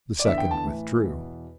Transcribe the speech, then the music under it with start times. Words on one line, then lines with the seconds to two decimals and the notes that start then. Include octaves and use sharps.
The second withdrew.
0.19 D5
0.25 E2 D3 E5
0.38 G5
0.51 A5
0.65 A2 E3
1.04 E2 B2